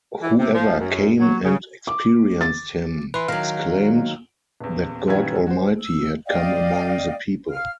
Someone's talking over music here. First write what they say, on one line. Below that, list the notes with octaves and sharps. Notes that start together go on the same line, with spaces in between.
Whoever came and experienced him exclaimed that God Almighty had come among the people.
E3
C3
F3
F#2
F#3
C#3
D6
A6
E3 B4 C6
D#3 F#3 F5 A#5
D#1 E2
A#1 F#2 D#3 E3 G3 G#6
F#4 C5
E6
D5 D#5 F5 G5
F5 F6